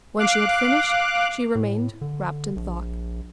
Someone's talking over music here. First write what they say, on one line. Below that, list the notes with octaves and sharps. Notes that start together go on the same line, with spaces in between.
When she had finished, she remained wrapped in thought.
F5 D6 F#6
A2
D3
A#1